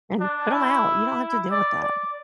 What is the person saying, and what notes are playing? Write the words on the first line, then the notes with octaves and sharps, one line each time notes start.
An put 'em out, you don't have to deal with that.
D4
E4
D5
D5